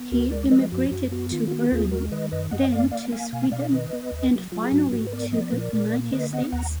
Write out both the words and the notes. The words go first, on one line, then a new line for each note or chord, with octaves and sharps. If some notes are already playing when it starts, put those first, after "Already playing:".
He emigrated to Berlin, then to Sweden, and finally to the United States.
Already playing: B3
D2 F#4 A#4
G#3 A#4 D5
F3 B4 D#5
F#2 F#4
F#2 F#4
B3 F#4
D#3 F4
F4
B3 F#4
D#2 F4 G#4
G#3 F#4 A#4
D#3 B4 D#5
F#2 B4 D#5
F#2 D#5 F#5
A#3 D5 F5
A#3 D5 F5
A#3 F5 G#5
B2 F5 G#5
B2 D5 F5
D#3 B4 D#5
B3
D#2
F#3
F#3 F4
G#4
G#2 F#4
G#2 F#4
B4
B3 A#4 D5
F3 D#5
D5
A#2 B4
A#4 D5
A#2
A#3
D3 B4 D#5
B3 D#5 F#5
D#2 F#5 A#5